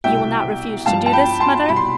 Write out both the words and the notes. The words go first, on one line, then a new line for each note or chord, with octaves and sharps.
You will not refuse to do this, mother?'
C2 B2 E5 G5
G2 F3 F5 A5
A5
G5 B5
A5 C6
C2 B2 B5 C6